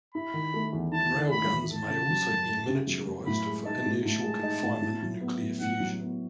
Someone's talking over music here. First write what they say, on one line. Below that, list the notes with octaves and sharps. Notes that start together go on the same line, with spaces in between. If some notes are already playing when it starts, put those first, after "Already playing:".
Railguns may also be miniaturized for inertial confinement nuclear fusion.
E4 B5
D#3
A3
E2
E4 A5
D#3
A3 B5
E2
A3 A5
C#3
F#3
F#2
A3
C#3
F#3
F#2
A2 B5
G#3
D#4 A5
A2
A2 A5
G#3
D#4
A2
A2
F#3
B3
A2
A2 F#5
F#3
B3